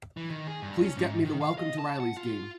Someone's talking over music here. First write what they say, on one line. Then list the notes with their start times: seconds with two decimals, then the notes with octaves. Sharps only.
Please get me the Welcome to the Rileys game.
0.17 E3
0.30 D#3
0.47 G#4
0.62 G2
0.83 C#4
0.97 G#2
1.25 D#3
1.41 F5
1.58 D#5
1.79 A5
2.00 F#5
2.17 F4